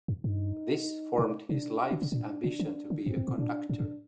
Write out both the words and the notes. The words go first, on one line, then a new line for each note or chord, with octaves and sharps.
This formed his life's ambition to be a conductor.
F#2
G2 D#4
A#2
C3 D4
D4
D3
C3
A#2 D4
C3 D4
D#3
D3
G2 C4
G2
A2
A#2 D4
A2 D4
G2